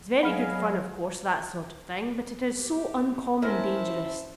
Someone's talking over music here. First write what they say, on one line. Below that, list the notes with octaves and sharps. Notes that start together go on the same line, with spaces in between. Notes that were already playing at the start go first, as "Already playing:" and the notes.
It's very good fun, of course, that sort of thing; but it is so uncommon dangerous!
F#3 G#4 D#5 F5 F#5 B5 F6
G4
C#4 E4 A#4 C5 A5